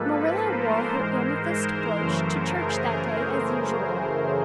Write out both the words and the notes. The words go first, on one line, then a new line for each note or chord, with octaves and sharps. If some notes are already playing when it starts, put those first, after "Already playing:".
Marilla wore her amethyst brooch to church that day as usual.
Already playing: G#2 F3 A#3 A4 B4
A#4 C5
G#2 E3 G#3
A#4 C5
F#2 C#3 E3 A3
G#4 A#4